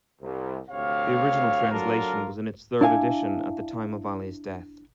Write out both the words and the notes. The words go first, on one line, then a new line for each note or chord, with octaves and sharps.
The original translation was in its third edition at the time of Ali's death.
C2
D2 C3 C#5 F5
F#3 A#3 D4 F4 A4 A#4
D4 E4 F5 G#5